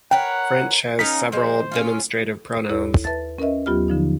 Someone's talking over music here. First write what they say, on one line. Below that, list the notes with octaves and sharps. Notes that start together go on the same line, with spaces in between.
French has several demonstrative pronouns.
A#4 B4 C#5 F#5 G5
C#4 D#4 A#4 F5 B6
F3 G#3 C5
C#4 D#4 F4
D#2 E4 A4 C#5
B4 E5 A5 A6
C#4 A#4 B4 D#5 E5
D#2 F#3 B3 F4 G4 F6
D3 F3 D#4